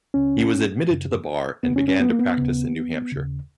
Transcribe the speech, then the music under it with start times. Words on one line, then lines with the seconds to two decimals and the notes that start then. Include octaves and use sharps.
He was admitted to the bar, and began to practice in New Hampshire.
0.14 C#2 C#3 C#4
0.89 F#2 C#3
1.63 F2 C#3 B3
1.76 C#4
1.88 C#4
2.00 B3
2.10 A#3
2.19 B3
2.38 D#2 C#3
3.12 D#2 C#3